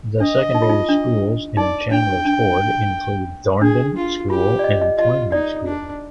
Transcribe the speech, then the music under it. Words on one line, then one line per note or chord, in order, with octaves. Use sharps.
The secondary schools in Chandler's Ford include Thornden School and Toynbee School.
D4 D#5
D#4
F4
D#4
D4
D#4 D5
D4 G5
D4
D4 G#4
F4
F4 G4
D5
D#5
D#5
F4 D#5
D#4 D5
D4